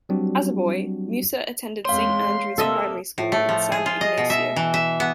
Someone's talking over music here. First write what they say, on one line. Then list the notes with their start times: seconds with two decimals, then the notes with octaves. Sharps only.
As a boy, Musa attended Saint Andrew's Primary School in San Ignacio.
0.09 F#3 G3 C4 D4 F#4 G4
1.85 E2 G#3 C4 C#5 F5 C6
2.58 C3 A#3 A4 D#5 E5
3.18 A2
3.32 A3
3.49 F3
3.72 G#4
3.86 F4
4.01 D#5
4.17 B2
4.30 E5
4.56 E3
4.74 E5
5.00 B3